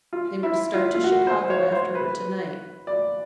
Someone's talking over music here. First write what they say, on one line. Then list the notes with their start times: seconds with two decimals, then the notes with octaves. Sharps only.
They were to start to Chicago after her to-night.
0.13 F4
0.43 E4
0.74 F4
0.94 F4
1.04 F#4
1.27 C5
1.50 C#5
1.72 C5
1.95 B4
2.87 D5